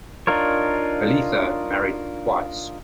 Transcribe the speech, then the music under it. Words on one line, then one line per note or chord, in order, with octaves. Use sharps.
Bolitho married twice.
D4 D#4 F4 A#4 C#5